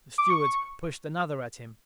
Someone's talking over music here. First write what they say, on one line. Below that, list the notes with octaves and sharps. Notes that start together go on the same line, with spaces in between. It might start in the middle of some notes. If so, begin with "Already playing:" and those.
The stewards pushed another at him.
D6
C#6